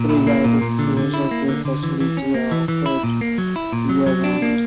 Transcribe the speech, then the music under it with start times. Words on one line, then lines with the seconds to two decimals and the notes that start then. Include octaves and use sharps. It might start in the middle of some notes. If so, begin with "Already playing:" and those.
Free guided tours of the facility are offered year-round.
Already playing: A#2
0.10 E4
0.27 A#3
0.44 A#2
0.61 A#2
0.79 D3
0.97 D3
1.14 E4
1.31 A#3
1.48 D3
1.65 D3
1.83 E3
2.00 E3
2.17 C#4
2.34 A#3
2.51 E3
2.68 E3
2.86 E4
3.03 A#2
3.21 A#3
3.38 F#3
3.56 E4
3.72 A#2
3.89 F#3
4.06 F#3
4.24 D4
4.42 A#3